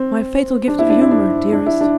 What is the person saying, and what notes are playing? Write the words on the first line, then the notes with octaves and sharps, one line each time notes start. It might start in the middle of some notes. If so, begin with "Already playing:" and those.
"My fatal gift of humour, dearest."
Already playing: C4
D4
E4
D4
E4
D4
D4
E4
D4